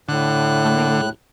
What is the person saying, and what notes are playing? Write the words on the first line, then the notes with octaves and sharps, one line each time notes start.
I mean,
A2 D3 F#6